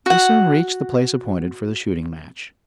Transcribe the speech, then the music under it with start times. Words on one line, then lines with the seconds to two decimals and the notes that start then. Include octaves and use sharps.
We soon reached the place appointed for the shooting-match.
0.06 F#4 F#5